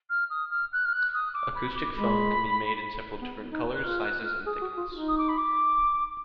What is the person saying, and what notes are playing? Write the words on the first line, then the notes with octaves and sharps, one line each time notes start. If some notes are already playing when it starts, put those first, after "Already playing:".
Acoustic foam can be made in several different colors, sizes and thickness.
F6
D#6
F6
F#6
F6
F#6
D#6
D6
B5
D6
G#3 B5
B3
D#4
F#6
F4 F6
F#6
F6
G#4 D#6
F#4
F4
D#4
D#6
D6
B5
D6